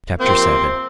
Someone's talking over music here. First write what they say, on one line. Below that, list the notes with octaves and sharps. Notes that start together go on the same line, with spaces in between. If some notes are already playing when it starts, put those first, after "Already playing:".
Chapter VII.
C3 F3 A#3 C4